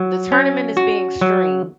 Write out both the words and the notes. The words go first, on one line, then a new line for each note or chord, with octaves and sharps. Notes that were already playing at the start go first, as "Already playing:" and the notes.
the tournament is being streamed
Already playing: F#3
C#4
F#4
F#3